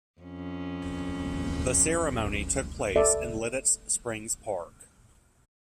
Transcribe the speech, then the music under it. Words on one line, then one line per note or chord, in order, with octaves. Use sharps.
The ceremony took place in Lititz Springs Park.
F2 C#4
A4 D5 E5